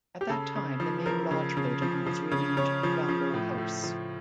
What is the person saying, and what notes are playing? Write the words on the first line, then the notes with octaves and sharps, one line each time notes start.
At that time, the main lodge building was renamed Jambo House.
G4
C#3 A4
C#3
F3
F3 A#4
C#3
C#3
F3
F3
C#3
C#3 C#5
F3
F3
A2
A2
F3